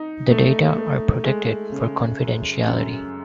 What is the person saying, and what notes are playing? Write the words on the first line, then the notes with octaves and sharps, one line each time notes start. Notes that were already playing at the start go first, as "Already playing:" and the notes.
The data are protected for confidentiality.
Already playing: D#4
A3
A3
G#3
C#3
F#2
F#2